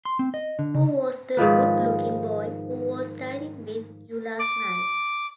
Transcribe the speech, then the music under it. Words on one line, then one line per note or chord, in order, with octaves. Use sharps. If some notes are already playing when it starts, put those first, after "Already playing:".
Who was that good-looking boy who was dining with you last night?
C6
C4
D#5
D3
C#3
G#2 D#3 F3 B4
D6